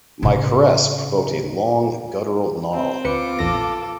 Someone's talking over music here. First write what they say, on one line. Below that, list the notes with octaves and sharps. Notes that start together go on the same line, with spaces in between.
My caress provoked a long, guttural gnarl.
A2 C#3
C4
D2 F4 B4 D6 C#7
A#1 E2 A4 A#6